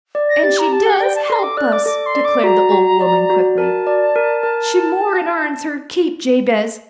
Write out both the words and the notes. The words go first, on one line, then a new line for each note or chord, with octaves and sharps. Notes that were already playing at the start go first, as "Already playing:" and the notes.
And she does help us," declared the old woman, quickly. "She more'n airns her keep, Jabez.
D5
A#6
G4 A6
A#5
G4 A5
F#5
D5 G5
A5
D6
A4 C6
D6
D5 F#6
D6
A4 D6
C6
D5
D6
F#4 A#5
F#4
D5
F#4
A#4 A5
D5
A#4
A#4